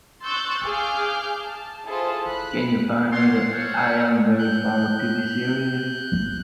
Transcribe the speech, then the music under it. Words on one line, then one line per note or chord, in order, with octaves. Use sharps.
Can you find me the I Am Very Far TV series?
C6 C#6 E6 F#6 G6 A6
G#4 F5 D6 F6 G6
A5
E4 F4 G#4 A4 C5 A5
B5 F#6
C#5 D5 F5 F#5 C6
A4 C5 C#5 F5 F#5
F#6 G6